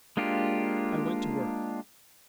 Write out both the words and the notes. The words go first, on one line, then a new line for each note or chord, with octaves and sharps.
I went to work.
G#3 A#3 D4 F4 G4